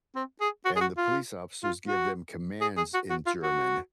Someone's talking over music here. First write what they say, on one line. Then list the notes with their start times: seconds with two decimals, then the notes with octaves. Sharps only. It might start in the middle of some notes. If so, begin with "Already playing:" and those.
-and the police officers give them commands in German,
0.16 C4
0.41 G#4
0.65 F#4
0.76 G#4
0.81 F#4
0.97 F4
1.64 F4
1.88 F#4
2.61 G#4
2.77 G#4
2.94 F#4
3.10 F#4
3.26 F4
3.43 F#4